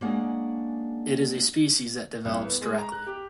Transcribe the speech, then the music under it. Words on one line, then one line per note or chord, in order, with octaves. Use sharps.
It is a species that develops directly.
G#3 A#3 C#4 D4 G#4 F#5
C2
B3
G#3
A#5
F#6
G4